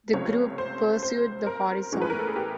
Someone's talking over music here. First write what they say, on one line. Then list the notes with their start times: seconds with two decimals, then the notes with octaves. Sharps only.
The group pursued the Horizon.
0.13 C#2 C3 F3 A3 C#4 C#5
0.58 C5
1.03 C5
1.47 A#4
1.92 A2 E3 G#3 C#4
2.02 B4
2.10 A#4
2.19 A4
2.27 G#4
2.36 G4